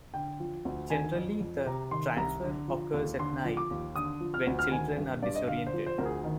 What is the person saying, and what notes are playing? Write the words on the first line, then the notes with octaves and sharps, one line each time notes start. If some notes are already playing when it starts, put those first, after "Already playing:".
Generally the "transfer" occurs at night, when children are disoriented.
D3 G5
F3
D2
D#3 G#5
F2
F2
C3 A#5
D#3 C6
C2 A#5
D3
F3
D#2
D3 C6
F3
D6
D#2
D3 D#6
F3
F6
D2
F6
D#3 G#5
G2
G2 D5
D#5
D3 F5
C5
F3
C5
D2 A#4
G#4
D#3